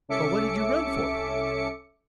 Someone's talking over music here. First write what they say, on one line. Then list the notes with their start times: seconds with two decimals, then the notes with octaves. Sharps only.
"Well what did you run for?"
0.08 C2 C#4 A4 E5 D6 C#7